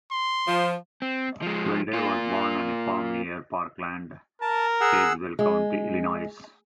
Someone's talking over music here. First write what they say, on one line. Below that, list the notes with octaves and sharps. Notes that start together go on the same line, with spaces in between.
Velde was born on a farm near Parkland, Tazewell County, Illinois.
C6
F3
C4
F3 G#3
A#3 F4
A#4 A5
G#4 F#5 E6
G#3